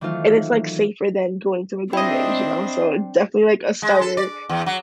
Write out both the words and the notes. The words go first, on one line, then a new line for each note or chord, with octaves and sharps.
and it's, like, safer than going to a gun range, you know? So definitely, like, a starter
D#3 E3 F#3 A3 C4 F4
C4 D4 E4 C5 D#5 G5
G#3
A4
D5
E2
F#3